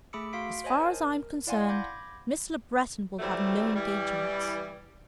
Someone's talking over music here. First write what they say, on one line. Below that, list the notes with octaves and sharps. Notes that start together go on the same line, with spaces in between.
"As far as I am concerned, Miss Le Breton will have no engagements."
A3 G#4 B5 D6 E6 C#7
F#4 F5 C6 B6 D7
C5 C#5 D#5 G#5 A5
A#4
E4 D5 F5 F#5 G#5 C6
B5 D6 G6 G#6 A#6
C3 E3 F#3 G3 A3 C4
E3 G3